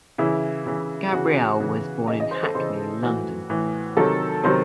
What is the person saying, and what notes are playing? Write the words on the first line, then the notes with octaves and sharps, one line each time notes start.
Gabrielle was born in Hackney, London.
C#3 E3 E4
C#3 E3
C#3 E3 F#4
C#3 E3
C#3 E3 D#5
D#5
C5
A4
C#3 E3 C5
A2 E3 F#4
A2 E3
C3 D#3 F#3 A4
C3 D#3 F#3 C5